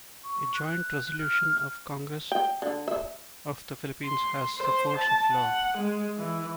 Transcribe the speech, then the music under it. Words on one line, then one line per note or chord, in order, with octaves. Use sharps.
A joint resolution of the Congress of the Philippines has the force of law.
C#6
F#6
F6
G5
D3
E5
C6
C5
A5
F#5
G#3
E3